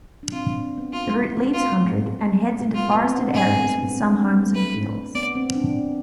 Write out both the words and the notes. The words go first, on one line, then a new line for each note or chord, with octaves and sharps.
The route leaves Hundred and heads into forested areas with some homes and fields.
D4
C4 F4
D4
C4
B3
B3 F4
A3
B3
C4
F4
B3 F4
B3
C4
D4
C4 G#4
A3
B3
C4
C4
D4
C4
A3
B4
B3 D5
C4
D4